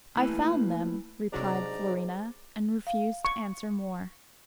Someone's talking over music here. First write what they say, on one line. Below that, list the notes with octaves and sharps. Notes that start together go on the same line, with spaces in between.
"I found them," replied Florina, and refused to answer more.
A3 A#3 E4 B4 G#5
G#2 C3 F#3 D4 D5 A#5
F5
C#6